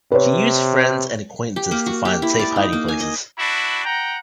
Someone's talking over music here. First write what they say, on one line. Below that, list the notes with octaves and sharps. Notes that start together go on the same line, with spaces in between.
She used friends and acquaintances to find safe hiding places.
C3 B4 C#5
G4
A#3
F#4
G4
E4
D5
D#4
A#3
G#5
D#5
D4 E4 F#4 B5
F#5 G5 A#5